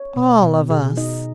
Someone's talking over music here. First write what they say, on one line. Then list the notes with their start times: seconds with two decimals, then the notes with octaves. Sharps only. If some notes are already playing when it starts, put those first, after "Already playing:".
"All of us."
Already playing: C#5
0.16 B2
0.43 B2
0.70 B2 G#4
0.97 D#4 D#5